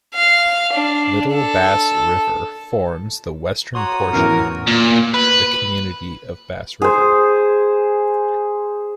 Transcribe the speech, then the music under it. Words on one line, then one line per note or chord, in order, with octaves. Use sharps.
Little Bass River forms the western portion the community of Bass River.
F5
D4
A4
F#4 C#5 A#5 C6 D#6
A1 E2 A#4
A#2
B4
G#4 C5